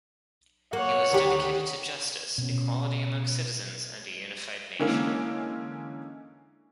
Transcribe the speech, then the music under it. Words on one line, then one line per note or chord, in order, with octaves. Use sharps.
He was dedicated to justice, equality among citizens, and a unified nation.
A#3 C#5 F#5
D2 D#3 G4
B2 C#4
D3 E3 G#3 A#3 C#4 E4